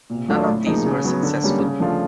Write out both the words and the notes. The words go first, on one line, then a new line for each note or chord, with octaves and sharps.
None of these were successful.
A#2
F#3 A3 D4 F4
A2
F3 A#3 D#4 G#4
C#3
F#3 B3
D3
G3 A#3 C#4
C#3
F3 A3 D4 F4